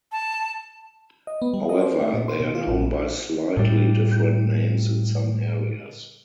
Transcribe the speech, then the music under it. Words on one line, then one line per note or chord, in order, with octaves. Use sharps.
However, they are known by slightly different names in some areas.
A5
D#5
B3
G3
D#5
C5
A3
A#2
C6
B2
F4
A1
A#1
A2 G3